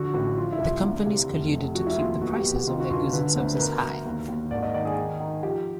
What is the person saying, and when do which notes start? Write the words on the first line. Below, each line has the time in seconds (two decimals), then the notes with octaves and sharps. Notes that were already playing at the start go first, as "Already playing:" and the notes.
The companies colluded to keep the prices on their goods and services high.
Already playing: D3 F3 F#4
0.14 A1 F#4
0.37 F3 F4
0.52 E4
0.60 C2
0.68 F4
0.83 D2
1.06 C3
1.29 F1
1.52 F1
1.75 F3 F#4
1.87 E4
1.98 D#2 F4
2.10 F4
2.21 B2 F#4
2.33 G4
2.44 B2
2.56 G4
2.67 D#3 F4
2.80 F#4
2.90 G1 F4
3.13 D3 B4
3.36 D2 C5
3.54 B4
3.59 B2 A#4
3.83 B2
4.06 D#2
4.28 D#2
4.51 G#1 D5
4.63 D#5
4.74 D#3 D5
4.85 G#4
4.98 D#3
5.20 D#3
5.43 F3 G4